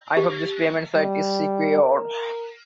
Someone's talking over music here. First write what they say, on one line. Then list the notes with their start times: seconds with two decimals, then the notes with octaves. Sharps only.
I hope this payment site is secure.
0.17 G4
0.95 G3
1.82 A#4